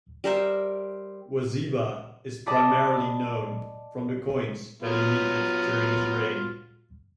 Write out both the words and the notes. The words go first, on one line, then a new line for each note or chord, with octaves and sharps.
Wazeba is primarily known from the coins that he minted during his reign.
G3 A#4 C5 E5
D5 D#5 A5 B5 D6
F#3 B3 F4